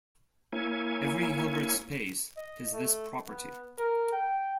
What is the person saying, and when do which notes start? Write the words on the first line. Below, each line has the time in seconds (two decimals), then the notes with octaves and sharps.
Every Hilbert space has this property.
0.53 A#3 E4 C#5 G#5
2.37 D#5
2.73 A3
3.28 B3
3.78 A#4
4.13 G5